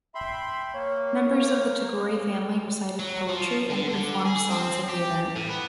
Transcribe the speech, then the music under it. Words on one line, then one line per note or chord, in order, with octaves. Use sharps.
Members of the Tagore family recited poetry and performed songs at the event.
E5 G5 B5 C6
A#3 C#5
F#3
F3
D3
D3
G#4
C4
G4
A2
B3